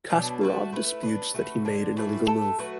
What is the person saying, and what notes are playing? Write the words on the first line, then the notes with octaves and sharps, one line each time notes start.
Kasparov disputes that he made an illegal move.
B2 F#3 B3 D4
D3 A3 F#4
A3 E4 B4
F#3 D4 B4
A3 F#4 B4
D3 F#3 D4
A2 E3 A3 F#4
A3 E4 A4
F#3 A3 F#4 B4